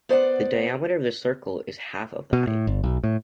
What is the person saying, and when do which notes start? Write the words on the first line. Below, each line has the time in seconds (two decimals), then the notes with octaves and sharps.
The diameter of the circle is half of the height.
0.09 B3 C5 D5 F#5
2.33 B2
2.47 A2
2.67 G1
2.84 B1
3.04 A2